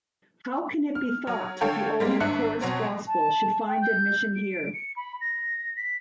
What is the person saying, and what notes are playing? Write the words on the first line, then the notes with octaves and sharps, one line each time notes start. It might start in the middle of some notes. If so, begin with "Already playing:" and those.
How can it be thought the old coarse gospel should find admission here?
F6
F#3
D3 A4 C#5 F5 G5
G3 G#3 A#3
G#1 D4 E5 F#6 C#7
B2 F#3 C4
A5
G5
G6
D7
C#7
B5
A#6
B6